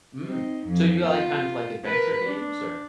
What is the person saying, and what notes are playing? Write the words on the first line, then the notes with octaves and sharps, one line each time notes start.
Mm, so you, like, kind of, like, adventure games, or?
C4 D#4
F2 F3
B3 F4
A#4 B4
D4